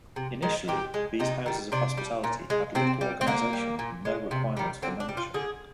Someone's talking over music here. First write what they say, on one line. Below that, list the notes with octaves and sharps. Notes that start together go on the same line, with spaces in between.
Initially, these houses of hospitality had little organization and no requirements for membership.
C3
D#3 G#3
A#2 G4
G#3
C3 D#4
D#3 G3
C3 D4
G3
A#2
G#3
C3 C4
G3
C4
D3 A#3
G3
A#2
G#3
C3
D#3 G3
D3 C4
D4
G3
F4
D3 G#4